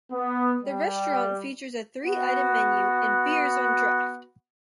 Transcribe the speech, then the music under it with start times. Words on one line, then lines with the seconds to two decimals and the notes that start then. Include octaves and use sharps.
The restaurant features a three-item menu and beers on draft.
0.12 B3
0.62 G3
2.05 B3 F#4